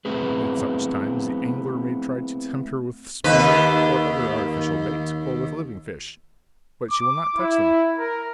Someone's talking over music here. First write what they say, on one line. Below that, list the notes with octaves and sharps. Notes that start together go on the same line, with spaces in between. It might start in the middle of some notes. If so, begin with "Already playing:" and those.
At such times the angler may try to tempt her with spoon or other artificial bait, or with live fish, but she will not touch them!
A3 B3 C4 E4 G#4 B4
D#2 B4
D6
E4
A#4